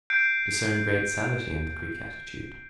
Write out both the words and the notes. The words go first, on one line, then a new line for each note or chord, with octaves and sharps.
I discern great sanity in the Greek attitude.
G6 C7 D7